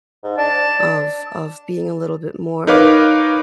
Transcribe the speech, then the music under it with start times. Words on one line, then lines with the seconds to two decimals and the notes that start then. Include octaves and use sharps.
of of being a little bit more,
0.23 G#2
0.38 D4 A5
2.67 D#4 A#4 B4 C#5 F5 D6